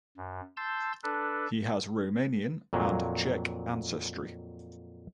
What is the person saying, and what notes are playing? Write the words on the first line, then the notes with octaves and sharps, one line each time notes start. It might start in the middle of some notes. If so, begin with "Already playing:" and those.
He has Romanian and Czech ancestry.
F#2
A5 C6 E6 G6 A6
D4 A4 B4
F2 A#2 F#3